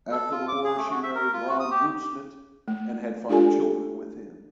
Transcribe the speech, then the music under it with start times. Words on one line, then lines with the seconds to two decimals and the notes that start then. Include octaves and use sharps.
After the war she married Bram Goudsmit and had five children with him.
0.11 A4
0.32 F4
0.48 D6
0.64 G#4
0.77 A3
0.91 F#4
1.03 E5
1.15 A#4
1.33 F4
1.49 F#4
1.60 D#6
1.71 G4
2.68 A3
3.29 G#3 D4 F4 G4 A4 G#5